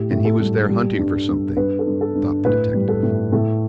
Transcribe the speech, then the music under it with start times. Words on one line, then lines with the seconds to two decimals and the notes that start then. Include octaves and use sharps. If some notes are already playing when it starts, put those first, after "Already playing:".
"And he was there hunting for something," thought the detective.
Already playing: A2 G4
0.11 A2
0.25 A4
0.40 G3
0.69 G3
0.98 G2
1.28 G2
1.56 G2 B4
1.79 A4
1.86 G2
2.01 A4
2.15 G2
2.45 A2 B4
2.74 G3
2.88 A4
3.03 A2
3.32 A2 A4